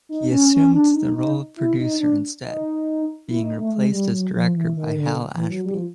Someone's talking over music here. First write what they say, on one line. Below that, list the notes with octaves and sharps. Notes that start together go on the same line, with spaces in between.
He assumed the role of producer instead, being replaced as director by Hal Ashby.
D#4
C#4
C#4
D4
D#4
D#4
E4
D#4
D4
D#4
E4
D#4
A3
G#3
G3
F#3
F3
E3
D#3
D3
E3
F#3
G3
F3